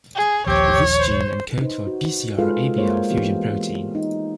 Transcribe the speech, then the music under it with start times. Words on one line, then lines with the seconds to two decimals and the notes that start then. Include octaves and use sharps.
This gene encodes for a Bcr-abl fusion protein.
0.15 G#4
0.47 D#1 A#1 C4 G4 C#5
0.98 C5
1.61 D#4 B4 C5
1.87 F#4
2.39 G#3 F4 G#4 A4 B4 F5
2.77 G#3 A#3 A#4 C5 C#5
3.10 E3 B3 G4
3.95 D#4